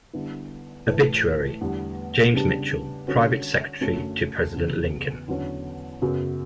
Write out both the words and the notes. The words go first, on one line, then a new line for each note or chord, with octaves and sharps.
Obituary: James Mitchell, Private Secretary to President Lincoln.
D3 G3 B3 E4
A2 E3 A3
E2 D3 G3 B3
C#3 G3 B3 D4 G4
D3 G3 C#4 F#4 A4
F#2 D3 F#3 A3 C#4
E2 C#3 E3
E2 D3 F#3 C#4
F#2 C#3 F#3 B3